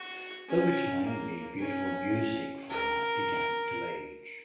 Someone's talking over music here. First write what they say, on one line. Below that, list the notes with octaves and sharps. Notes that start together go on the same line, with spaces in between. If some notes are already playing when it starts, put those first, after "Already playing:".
Over time, the Beautiful music format began to age.
Already playing: F#4
C#4
A#3
C#4
A#4